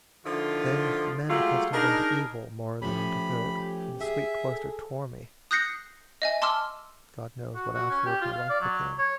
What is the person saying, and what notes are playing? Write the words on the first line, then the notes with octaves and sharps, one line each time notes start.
Then men accustomed unto evil more Than unto good, from the sweet cloister tore me; God knows what afterward my life became.
D3 D#3 F3 E4 F4
F#3 G#3 A3 F4 G4
D4 D#4 G#4 A#4
F3 A3 C#4 G4 B5
G#4 E5
A4
D#6 F#6 G6 A#6 C7 C#7
D#5 E5 G#5
A5 C6 D6 E6 F6
F#4
F#4
C#4
G4
F4
F5
D5
F#3
C#5